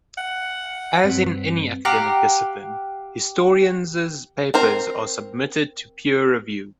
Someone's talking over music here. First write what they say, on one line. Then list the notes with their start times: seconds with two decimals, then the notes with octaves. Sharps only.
As in any academic discipline, historians' papers are submitted to peer review.
0.18 F#5
1.03 G2 C4 B4
1.85 G4 F5 F#5 A#5
4.54 C4 A#4 C5